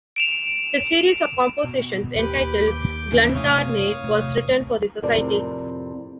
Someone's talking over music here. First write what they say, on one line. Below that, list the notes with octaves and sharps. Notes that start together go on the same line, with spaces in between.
His series of compositions entitled "Gluntarne" was written for the society.
D7 E7 F7
B2
D#2 A#3 G4 B4 G5
D6 G6
A2 C#3 E3
F#1 C3 A3 C#5 F5 D#6
C3 A3
F2 A2 C3 C4 A#4 D5